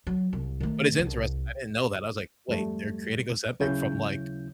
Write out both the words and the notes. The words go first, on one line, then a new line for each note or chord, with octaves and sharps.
But it's interesting. I didn't know that. I was like, "Wait, they're creating Ozempic from, like,
F#3
C2
D#3 A3
C2
F2 G#2 G3 A3
D#2 C#3 F#3 C#4 E4 G6